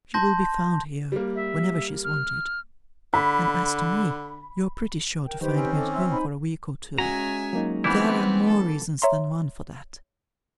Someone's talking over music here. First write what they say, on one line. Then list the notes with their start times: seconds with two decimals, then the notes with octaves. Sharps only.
She will be found here, whenever she's wanted; and as to me, you're pretty sure to find me at home, for a week or two. There are more reasons than one for that.
0.14 A5 C6 G6 A#6
1.12 G3 A#3
1.35 E5
2.04 F6
3.14 D3 B5
5.26 A#4 G5
5.41 D#3 G4 B4 C5
5.56 C4 C#4
5.75 A4 D#5 D6
5.93 E5 C6 E6
6.11 D#4 C5 G#5 B5
6.98 G#3 C#4 F#4 E5 G#5 A#5
7.53 F#3 A#3 D#4
7.84 E3 G3 B3 C4 E4
8.47 A4
9.02 C#5 E5 A#5 C6